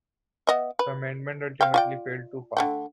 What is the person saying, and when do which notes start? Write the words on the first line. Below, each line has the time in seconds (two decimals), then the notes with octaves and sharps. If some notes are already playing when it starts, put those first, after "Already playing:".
The amendment ultimately failed to pass.
0.47 B3 D#5 E5
0.79 B4
1.61 C4 F5 G5
1.74 F4 D5 G5
2.57 D3 A3 G5